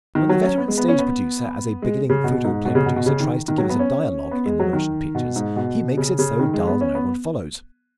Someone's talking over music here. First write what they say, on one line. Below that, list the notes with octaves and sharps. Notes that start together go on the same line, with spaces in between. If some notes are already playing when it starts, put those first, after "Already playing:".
When the veteran stage-producer as a beginning photoplay producer tries to give us a dialogue in the motion pictures, he makes it so dull no one follows.
D#3
F#3
C#4
B3
G#3
B3
C#4
B3
G#3
C#3
B2
G#2
B2
C#3
B2
B2
C#3
D#3
D#3
F#3
B3
C#4
B3
G#3
F#3
D#3
B2
G#2
B2
C#3
C#3
D#3
G#3
B3
C#4
B3